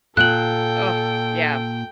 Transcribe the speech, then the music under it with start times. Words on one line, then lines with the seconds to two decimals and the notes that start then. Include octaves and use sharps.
Oh, yeah.
0.17 A#2 A4 G5 F#6 F#7